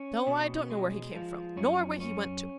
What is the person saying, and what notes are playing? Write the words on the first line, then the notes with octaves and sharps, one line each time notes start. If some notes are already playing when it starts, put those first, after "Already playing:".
No, I don't know where he came from nor where he went to.
Already playing: C#4
B2
G#3
F3
F#2 C#4
C#4